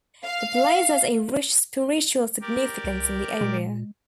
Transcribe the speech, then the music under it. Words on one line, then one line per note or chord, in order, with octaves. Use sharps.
The place has a rich spiritual significance in the area.
F5
G4 A#4 D5
C2
A#2 G#3